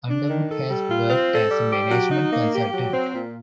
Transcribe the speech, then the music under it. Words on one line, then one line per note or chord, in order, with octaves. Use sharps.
Underwood has worked as a management consultant.
D4
D#3
A4
G3
F4
C4
A4
G3
G4
F#3
D#4
A#3
G4
F#3
C4
A#2